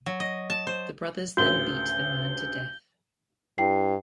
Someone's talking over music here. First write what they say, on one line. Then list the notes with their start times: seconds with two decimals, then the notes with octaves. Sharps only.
The brothers then beat the man to death.
0.06 F#3
0.20 D#5
0.50 A5
0.67 C5
1.37 A1 D2 C#3 F#4 A#4 G6 G7
3.58 G2 E4 G5 C7